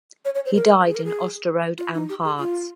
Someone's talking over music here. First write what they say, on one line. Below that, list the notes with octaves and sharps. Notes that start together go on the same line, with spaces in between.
He died in Osterode am Harz.
C#5
C#5
C5
A#4
G#4
A#4
G#4
F4
D#4
G4
G#4
F4